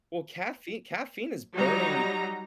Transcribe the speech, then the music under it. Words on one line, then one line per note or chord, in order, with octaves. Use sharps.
Well, caffei caffeine is burning
F#3 G3 D#4 A#5